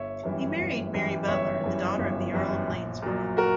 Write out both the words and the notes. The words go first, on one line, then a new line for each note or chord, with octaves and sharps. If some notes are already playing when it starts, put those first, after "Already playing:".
He married Mary Butler, the daughter of the Earl of Lanesborough.
Already playing: G1 C#5 E5
F#2 E3 G3
G1
F#2 E3 G3
G1 C#5 E5
F#2 E3 G3
G1
F#2 E3 G3
A#1
A#2 F#3
F#4 A#4